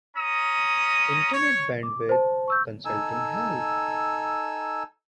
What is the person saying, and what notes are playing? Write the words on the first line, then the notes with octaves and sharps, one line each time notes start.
Internet bandwidth, consulting help.
C#4 A#5 D#6
C#5
D6
C5 A5
C#6 E6 G6
D#4 A4 G#5 E6